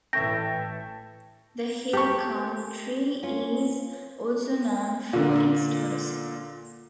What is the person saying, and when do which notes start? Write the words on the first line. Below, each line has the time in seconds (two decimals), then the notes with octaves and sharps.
The Hill Country is also known for its tourism.
0.13 A1 E3 A4 C#5 E5 G5 A#6
1.93 A#3 G4 A4 C#6
3.23 C#4 F4
5.13 A#2 D3